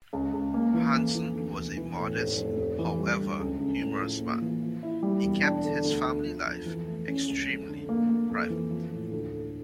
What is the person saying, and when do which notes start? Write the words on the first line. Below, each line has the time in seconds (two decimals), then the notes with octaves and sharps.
Hanson was a modest however humorous man, he kept his family life extremely private.
0.13 C#2
0.33 C#2
0.54 A#3
0.74 E3
0.94 F2
1.15 E3
1.35 D2
1.55 E1
1.77 E3
1.97 A2
2.17 F1
2.37 F2
2.57 F1
2.78 E3
2.99 G3
3.19 D2
3.39 C#2
3.60 C#3
3.81 A2
4.00 F3
4.21 A#3
4.42 E3
4.63 F3
4.83 E4
5.03 G3
5.23 E1
5.43 D4
5.64 D3
5.85 D2
6.05 D3
6.25 F3
6.46 F2
6.66 E3
6.87 A3
7.08 C#4
7.28 C#2
7.48 F2
7.69 D3
7.89 A#3
8.10 A#3
8.30 F2
8.50 E3
8.71 F3
8.91 A2
9.11 D2
9.33 D2